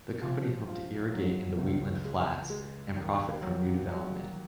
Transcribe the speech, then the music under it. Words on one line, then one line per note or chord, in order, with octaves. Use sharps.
The company hoped to irrigate in the Wheatland Flats and profit from new development.
F3
F3
F#3
C#2
G#3
G#3
D#2
F#3
F#3